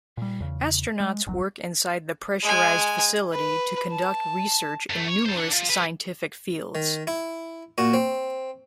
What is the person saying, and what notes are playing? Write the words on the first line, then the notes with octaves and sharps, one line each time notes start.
Astronauts work inside the pressurized facility to conduct research in numerous scientific fields.
A#2 G3
E2 C#3
G#3
G1 E2 F#3
G#3 G#5
B4
A5
F#2 A3
C#5
A4 C5
D4 F#5
F3
G#4 B4
D#3
E4
A#2 F#4
C4